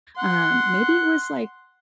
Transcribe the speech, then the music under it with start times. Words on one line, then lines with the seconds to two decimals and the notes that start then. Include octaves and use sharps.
Um, maybe it was, like,
0.18 F#5 C6